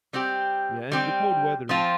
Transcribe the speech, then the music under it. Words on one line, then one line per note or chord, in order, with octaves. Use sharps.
Yeah, and the cold weather
G3 C4 G4
G3 C4 G4
F3 C4 F4